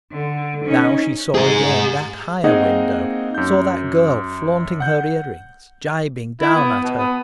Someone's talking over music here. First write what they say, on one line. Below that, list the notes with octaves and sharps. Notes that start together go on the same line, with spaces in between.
Now she saw again that higher window, saw that girl flaunting her ear-rings, gibing down at her.
D3
C#4 D#4
G#4 A#5
A#3 C4 D#4 G#4 D#5 F#5
F#2 G6
F#5 G6
E4
B3
B2
B3